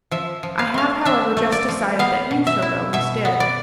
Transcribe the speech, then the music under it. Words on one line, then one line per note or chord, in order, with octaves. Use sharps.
I have, however, just decided that you shall go instead.
F3 E5
F3
F5
A3 F5
D4 E5
A3
D5
F3
B3 F5
B2
E5
E4
B2 E5
B3
D5